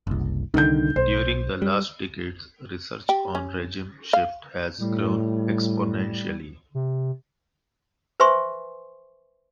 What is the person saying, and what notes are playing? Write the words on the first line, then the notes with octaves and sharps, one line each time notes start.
During the last decades, research on regime shift has grown exponentially.
F#1 C2
C2 D3 D#3 G6
B1 C5
G3
G4
C#4
F5
A2 G3
C3
B4 C5 E5 G#5 C6 C#6